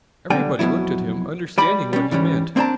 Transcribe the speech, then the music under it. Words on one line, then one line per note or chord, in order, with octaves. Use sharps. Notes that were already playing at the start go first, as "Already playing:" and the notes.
Everybody looked at him, understanding what he meant.
B1 D3 G3 G5 G#5
F2 B2 D3 F#3 E4
G3 D5 B5
G3 C#4
G#2 E3 G3 C#4
A#3 C4 D4 C5 A5 A#5